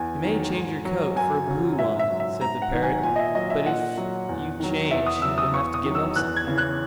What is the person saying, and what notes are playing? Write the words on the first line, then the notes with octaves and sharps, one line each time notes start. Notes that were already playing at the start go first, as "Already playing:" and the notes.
"You may change your coat for a blue one," said the parrot, "but if you change you'll have to give up something."
Already playing: E2 G#5
D#3 F#3
G#2
F#3
F#2 G#5
C#3 F#3
G#2 E5
E5
F#3
E5
G#2 A#5
F#5
D#3 F#3
G#5
A#2 G#5
D#5
E5
F#3 D#5
E5
A#2 F#5
F#3
E2
D#3 F#3
E2 E5
D#6
C#3 F#3 E6
D#6
E2 C#6
D#6
D#3 F#3
E6
E2 F#6
G#6
C#3 E3
F#6